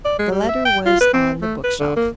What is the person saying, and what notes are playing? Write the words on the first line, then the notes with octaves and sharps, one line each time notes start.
The letter was on the bookshelf.
D5
G#3
G3
E5
G5
F4
B4
C4
A3
B4
D3
A#3